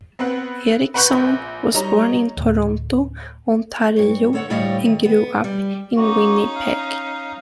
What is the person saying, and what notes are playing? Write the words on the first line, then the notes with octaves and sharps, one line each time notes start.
Erikson was born in Toronto, Ontario, and grew up in Winnipeg.
B3 C4 B4 F#5
B4 F#5 B5 C#6 F#6 G6
A#1
G3 D#4 C#5 A#5
D2 A2
G2 C#5
D2 A4 C#5 F5 F#5
D2 A2 G3 C#5 D#5 F5
D#3
B3
G3
A#3 C#4 D#4 F#4
F5